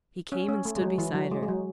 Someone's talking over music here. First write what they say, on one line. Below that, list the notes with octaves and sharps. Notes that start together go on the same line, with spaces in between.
He came and stood beside her.
C#4
C#4
A3
G#3
F#3
E3
F#3
G#3
G#3
F#3